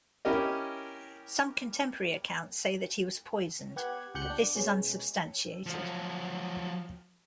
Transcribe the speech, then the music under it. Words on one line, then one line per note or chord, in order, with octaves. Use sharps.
Some contemporary accounts say that he was poisoned, but this is unsubstantiated.
C#4 E4 G4 A#4 D#5
B3 G4 F#5 G#6
C#2 G4 F#5 F#6 G6 C#7
D4
B2 G#3 C#4
F3 F#3